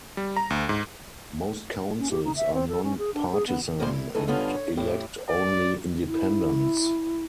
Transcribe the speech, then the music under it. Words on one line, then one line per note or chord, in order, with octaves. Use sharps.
Most councils are non-partisan and elect only independents.
G3
A#5
D2
G#2
C#4
G4
D#4
E5
C4
A4
C#4
G#4
D4
G#4
B3
A#2 F3 G3 E4 A4 C5
E4
E3 A3 D#4 A4
G2 D3 B3 C#4 F4
C#5
A2 E4 G4
D5
E4